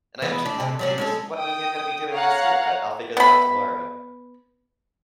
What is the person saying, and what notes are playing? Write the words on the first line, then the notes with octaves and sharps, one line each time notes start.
and I actually haven't picked what movie I'm gonna be doing this year, but I'll figure that out tomorrow.
E3 G#3 B3
D4
C3
F#3 G3 C#4
G#3 C#4 A4
G5 D#6
C#5 F5 F#5 A#5
B3 B5